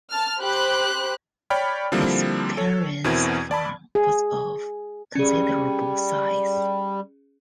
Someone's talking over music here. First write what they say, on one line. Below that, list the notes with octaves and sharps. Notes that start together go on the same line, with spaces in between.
His parents' farm was of considerable size.
A5 F6
G4 C5 B5 F#6
C#5 D5 G5 B5 F6
D3 F3 G3 A#3 C4 E4
A4 C#5
E2 B2 C4 E4 A#4 G#6
D5 A5 B5
G#4
G3 C#4 G#4